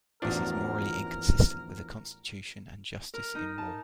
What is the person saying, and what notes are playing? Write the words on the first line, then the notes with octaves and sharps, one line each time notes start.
This is morally inconsistent with the Constitution and justice in war.
A1 E2 F3 F#3 D4 A#4
A#4
D#4
A5